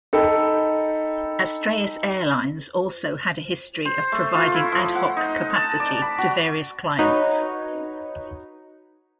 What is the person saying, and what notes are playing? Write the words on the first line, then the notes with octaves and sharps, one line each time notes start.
Astraeus Airlines also had a history of providing ad-hoc capacity to various clients.
D#4 A4 G5 B5
C5
A3
F4
E4
F3
F#5
D#4
A5
D5
B5
F#4
D#4 F#4 B4 C#5